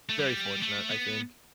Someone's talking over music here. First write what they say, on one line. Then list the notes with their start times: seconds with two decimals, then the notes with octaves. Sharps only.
very fortunate, I think.
0.09 A3
0.20 G3
0.62 A3
0.90 B3